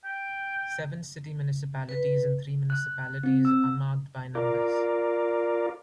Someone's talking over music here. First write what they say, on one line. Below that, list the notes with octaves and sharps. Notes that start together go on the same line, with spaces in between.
Seven city municipalities and three municipalities are marked by numbers.
G5
B4
F#6
C4
E6
F4 A#4 D5